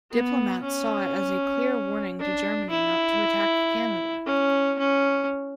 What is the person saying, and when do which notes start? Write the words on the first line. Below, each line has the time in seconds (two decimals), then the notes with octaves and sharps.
Diplomats saw it as a clear warning to Germany not to attack Canada.
0.11 B3
0.63 C#4
2.19 D4
2.71 E4
4.26 C#4
4.79 C#4